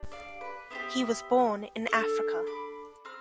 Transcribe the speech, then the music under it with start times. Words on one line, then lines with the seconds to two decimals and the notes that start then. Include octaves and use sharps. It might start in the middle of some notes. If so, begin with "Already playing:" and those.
He was born in Africa.
Already playing: D4 G4
0.12 D5 F5
0.41 B4
0.71 B3 D4 G4 C5 E5
1.89 D4 A4
2.47 B5 D6
3.05 C4 F6